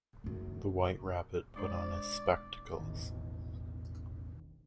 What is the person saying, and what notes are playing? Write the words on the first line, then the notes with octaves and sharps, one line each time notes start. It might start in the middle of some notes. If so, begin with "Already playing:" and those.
The White Rabbit put on his spectacles.
F#1 F#2
G#3 D4 C5 D5
E1 A1 D#3